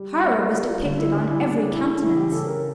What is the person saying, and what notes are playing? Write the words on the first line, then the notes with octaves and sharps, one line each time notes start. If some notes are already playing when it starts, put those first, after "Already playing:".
Horror was depicted on every countenance.
Already playing: G3
A#3 D5
E5
G3 D5
F4
D3
E4
G3 D4
E4
C#3 D4
C#3 E4
E3 E4
G4
C#3 A4
A#4